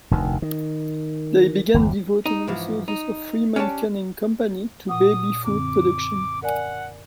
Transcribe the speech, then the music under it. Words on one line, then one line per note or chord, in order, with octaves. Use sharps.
They began devoting resources of Fremont Canning Company to baby food production.
F1 D2 D#3
D#3
G1 E2
D#4
G#2 E3 F3
D#4
C#4 D4 G4 C#5 A5
A#2 F#5 D#6
F#2 D3 C4 D6
A#4 D5 F#5 G#5